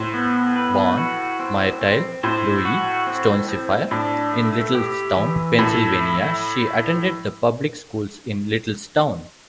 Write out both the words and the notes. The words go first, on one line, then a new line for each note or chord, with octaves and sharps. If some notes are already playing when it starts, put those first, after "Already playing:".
Born Myrtle Louise Stonesifer in Littlestown, Pennsylvania, she attended the public schools in Littlestown.
Already playing: A2 C5
B3
B4
F#4
C4
C4
A2 C5
F#4
C4
C4
A2 D4
A3
G4
E3
A2 A4
E4